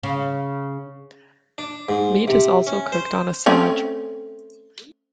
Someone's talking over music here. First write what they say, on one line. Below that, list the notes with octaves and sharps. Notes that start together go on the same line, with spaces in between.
Meat is also cooked on a "saj".
C#3
D4
G#2
C3
C#4
C5
A3 C4 C#4